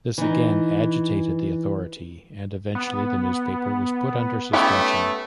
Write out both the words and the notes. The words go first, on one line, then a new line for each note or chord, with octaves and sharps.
This again agitated the authority and eventually the newspaper was put under suspension.
E3 D#4
B3
A3 B3 C#4 G4